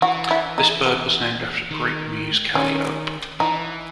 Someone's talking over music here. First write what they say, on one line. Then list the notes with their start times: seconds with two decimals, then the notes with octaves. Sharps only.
This bird was named after the Greek muse Calliope.
0.02 E3 F#4
0.31 E4
0.58 D#4
0.86 B3
1.71 D#3
2.55 D#3 C#4
3.40 E3 D#4